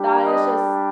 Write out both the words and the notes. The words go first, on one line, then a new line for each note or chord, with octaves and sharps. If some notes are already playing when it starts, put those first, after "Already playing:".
that is just
Already playing: G3 D4 G4
D#5